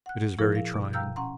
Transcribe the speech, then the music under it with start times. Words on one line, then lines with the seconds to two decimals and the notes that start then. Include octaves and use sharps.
It is very trying.
0.06 F#5 F#6
0.39 A#2 F3 E4 G#4 A#4
0.52 F5 A#6
0.74 B2
0.93 F5 G5 A#5 E6 F6 G6
1.16 C#4 F#5 A#5 C6